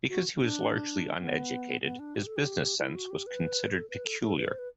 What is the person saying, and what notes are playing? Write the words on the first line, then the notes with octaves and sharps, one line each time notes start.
Because he was largely uneducated, his business sense was considered peculiar.
F#4
D4
B3
B3
D4
G4
A4
G4
E4
F#4
G4
B4
A4
B4
A4
A4
B4
C5
B4